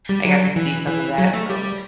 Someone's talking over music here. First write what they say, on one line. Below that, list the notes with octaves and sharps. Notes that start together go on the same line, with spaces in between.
I got to see some of that, so
G3
F#3
E3
E3
F#3
A3
G3